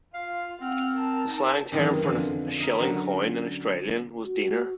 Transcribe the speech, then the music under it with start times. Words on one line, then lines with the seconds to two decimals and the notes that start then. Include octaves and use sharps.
The slang term for a shilling coin in Australia was "deener".
0.14 F4 F5
0.61 C4 F#5 F6
0.95 A#4 A5
1.27 D#4
1.72 F#2 C3 D#3 E3 G#3
2.02 F2 D3 E3
2.58 A#4 D#5 E5
2.79 D3 F#3 C#4
4.24 F#4